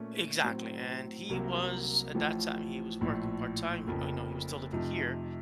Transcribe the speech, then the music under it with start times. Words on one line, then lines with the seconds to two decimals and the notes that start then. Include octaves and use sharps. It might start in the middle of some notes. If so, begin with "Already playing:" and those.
Exactly, and he was at that time, he was working part-time. Y oh, no, he was still living here,
Already playing: A#2 A3 C#4 A4
0.43 A2 F#3 C4
1.29 C2 C3 F#3 A#3
2.15 A1 A2 F3
3.01 A#1 A2 F3
3.87 F1 F2 C#3 F3 A#3
4.73 F2 C3 F3 A3 D#4